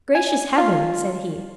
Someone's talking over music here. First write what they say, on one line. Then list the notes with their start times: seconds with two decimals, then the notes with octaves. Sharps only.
"Gracious Heaven!" said he.
0.15 G#5
0.58 F4